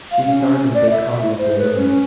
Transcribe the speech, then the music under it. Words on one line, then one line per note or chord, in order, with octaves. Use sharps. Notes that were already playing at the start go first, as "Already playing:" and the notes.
She starred in "Bakekang" as Lorraine.
F5
C#4
C#4
C#4
D5
E5
E4
C5
B4
C#4